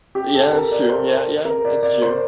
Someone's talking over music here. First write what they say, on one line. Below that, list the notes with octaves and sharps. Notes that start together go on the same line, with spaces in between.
Yeah, that's true, yeah, yeah, that's true.
G4
A4
A#4
D5
C5
C5
A#4
D5
D5
C5